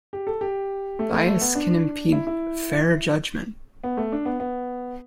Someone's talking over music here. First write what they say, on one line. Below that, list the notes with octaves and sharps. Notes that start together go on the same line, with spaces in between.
Bias can impede fair judgment.
G4
A4
G4
A3
A3
A3
B3
D4
E4
E4
B3
A3
D4
B3
B3